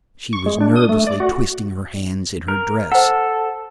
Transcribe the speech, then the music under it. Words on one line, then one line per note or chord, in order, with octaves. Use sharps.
She was nervously twisting her hands in her dress.
C#6
G#3
D4
D#6
A3
D5
F#4
A#4
A4 C5 F#5